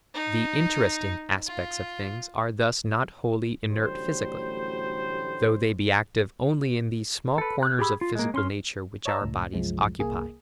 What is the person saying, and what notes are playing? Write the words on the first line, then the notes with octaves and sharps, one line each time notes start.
The 'interesting' aspects of things are thus not wholly inert physically, though they be active only in these small corners of physical nature which our bodies occupy.
D#4
F4
A1 D2 F#3 G3 C5
A4 B4
F#6
G4 G#4 B5 E6
F4
G#3 A#3
C#4 C6 F6
C#5 D#5 A5 A#5 E6
C#2 A2
C2 F#2 F3 G#3
C2 A#3 G#4